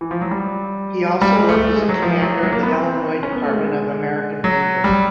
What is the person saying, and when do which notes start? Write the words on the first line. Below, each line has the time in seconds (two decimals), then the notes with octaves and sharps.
He also worked as a commander of the Illinois Department of the American Legion.
0.01 E3
0.11 F3
0.21 F#3
0.31 G3
1.21 G3
1.35 G#3
1.49 A3
1.62 A3
1.76 G#3
1.89 F#3
2.03 F3
2.22 F#3
2.43 F#3
2.53 A#3
2.63 B3
2.73 C4
3.23 C#4
3.33 B3
3.43 A3
3.53 G#3
4.44 F#3
4.84 G3